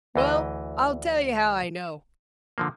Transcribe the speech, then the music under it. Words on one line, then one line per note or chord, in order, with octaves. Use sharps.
Well I'll tell you how I know!
D2 E3 D#5
D3 F3 A#3